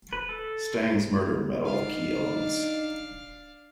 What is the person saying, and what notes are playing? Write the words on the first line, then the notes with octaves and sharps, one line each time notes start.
Stang's murder met all the key elements.
B4
A4
D4 D#4 F5